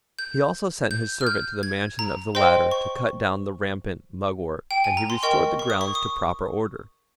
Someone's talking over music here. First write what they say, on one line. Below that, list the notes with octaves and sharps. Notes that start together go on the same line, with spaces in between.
He also sent his servant to the mansion of the latter to cut down the rampant mugwort, and he restored the grounds to proper order.
G6
G6
F6
G6
G#6
A#5
C5 D#5 G5 C6
C#6
G5
G#5
A#5
C6
A#4 D#5 G5 C#6
C#6
D#6
C#6
D#6